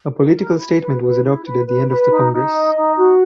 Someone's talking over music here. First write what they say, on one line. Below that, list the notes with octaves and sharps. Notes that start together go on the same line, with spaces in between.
A political statement was adopted at the end of the congress.
D#4
A#4
E4
B4
B4
E4
B4
B4
B4
D#4
D#4
D#5
D#4
F#4